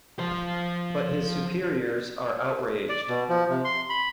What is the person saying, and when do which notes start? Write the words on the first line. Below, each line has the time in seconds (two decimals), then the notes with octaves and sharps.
But his superiors are outraged.
0.19 F3 C5
2.89 D5
3.08 B2
3.29 F3
3.50 C3
3.65 C6
3.90 B5